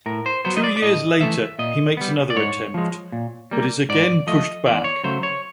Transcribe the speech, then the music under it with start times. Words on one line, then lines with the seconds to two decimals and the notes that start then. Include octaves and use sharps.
Two years later he makes another attempt, but is again pushed back.
0.06 A2 A#4
0.26 C5
0.45 F#3 B3 C5
0.57 D#5
0.64 D5
0.77 D5
0.82 A2 D#5
1.20 E3 A3 E5
1.59 A#2 D#5
1.97 G3 B3
2.30 D5
2.36 G#2 C#5
2.74 F3 G#3
3.12 A#2
3.51 G3 A#3
3.89 G#2 D5
4.27 F3 A3 D#5
4.65 E2 D5
4.84 C#5
5.04 C#3 F#3 A3 C5
5.23 C#5